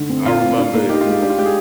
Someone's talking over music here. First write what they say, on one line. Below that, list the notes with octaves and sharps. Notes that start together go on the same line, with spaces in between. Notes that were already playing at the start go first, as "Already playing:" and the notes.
I remember
Already playing: D3
C4
A#2 F4
C4
D4
A#3
D#4 G4
G#3 F4
G4
D4 G4
F4
G#3 G4
G#4